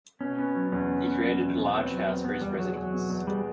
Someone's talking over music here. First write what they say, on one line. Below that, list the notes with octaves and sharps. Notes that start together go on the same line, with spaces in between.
He created a large house for his residence.
B2 C#4
B3
F#3
E2 C#4
B2
B3
F#3
E2
B2
B3 C4
F#3
C4
E2
B2 B3
E2 G3
F#3 G#3
E2 F#3
B2
E2
G3 G#3